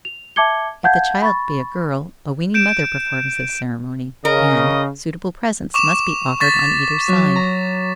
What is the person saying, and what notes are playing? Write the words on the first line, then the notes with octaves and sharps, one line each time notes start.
If the child be a girl, a weaning mother performs this ceremony, and suitable presents must be offered on either side.
F7
E5 A5 D6 G#6 C#7 G7
F5 F#5 A5 G6 G#6
B5 C#6 A6
G6 D7 E7
C#3 A#4 D#5
C#6 D6 E7
C#6 A6 B6
F#3
A#5